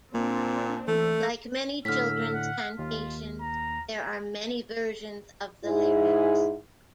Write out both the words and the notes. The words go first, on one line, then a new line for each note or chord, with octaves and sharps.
Like many children's cantations, there are many versions of the lyrics.
A#2 A#3 C4 D4
E3 A3 A4
A2 D3 E6 F6 B6
F#5
D#2 F4
A#5
G#2 E4 G#4